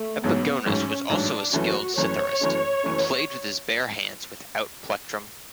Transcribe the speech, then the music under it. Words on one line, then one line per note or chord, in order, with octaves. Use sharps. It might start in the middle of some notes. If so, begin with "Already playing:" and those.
Epigonus was also a skilled citharist and played with his bare hands without plectrum.
Already playing: A3
A1 G#2 F#3 B3
A1 G#2 F#3 C#4
A1 G#2 F#3 D4
F#1 F#2 E3 A3 C#4 F#4
F#1 F#2 E3 A3 C#4 C#5
F#1 F#2 E3 A3 C#4
F#1 F#2 E3 A3 C#4